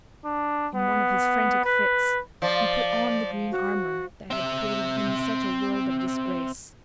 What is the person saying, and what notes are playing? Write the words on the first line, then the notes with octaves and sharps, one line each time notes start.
In one of his frantick Fits, he put on the green Armour, that had created him such a World of Disgrace.
D4
B3
B4
F3 D5
F#4
C4 E5